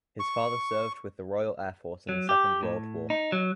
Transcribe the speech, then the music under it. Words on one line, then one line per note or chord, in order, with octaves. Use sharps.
His father served with the Royal Air Force in the Second World War.
C#6
F#3
G4
A2
D#4
F#3